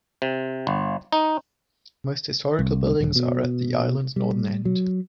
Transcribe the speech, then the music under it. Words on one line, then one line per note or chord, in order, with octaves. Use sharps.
Most historical buildings are at the island's northern end.
C3
G1
D#4
C2
E1
B2
G3
F#3